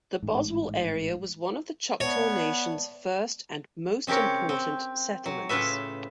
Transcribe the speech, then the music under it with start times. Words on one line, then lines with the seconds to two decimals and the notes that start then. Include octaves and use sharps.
The Boswell area was one of the Choctaw Nation's first and most important settlements.
0.23 A1 G#2
2.00 B3 C#5 D5 E5 A5
4.07 C#3 C4 G4 A#4 C#5
4.49 C4
5.26 F#3
5.49 A2 C#3 F4 B4 E5